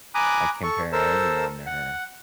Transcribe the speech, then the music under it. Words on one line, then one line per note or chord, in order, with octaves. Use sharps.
I compare everyone to her,
G#5 A#5 B5 D6 D#6 F#6
A4 C#6
A4 A#4 C5 E6
F#5